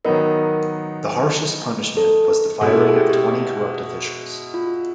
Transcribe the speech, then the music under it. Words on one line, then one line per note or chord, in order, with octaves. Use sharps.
The harshest punishment was the firing of twenty corrupt officials.
D#3 F#3 B3 D#4 A#4
A4
B2 G#3 C#4 E4 A4
G#4
G4
G4
F4